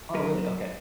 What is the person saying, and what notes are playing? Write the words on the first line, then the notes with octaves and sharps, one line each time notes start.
Oh, really? Okay.
F#3 A#4 B4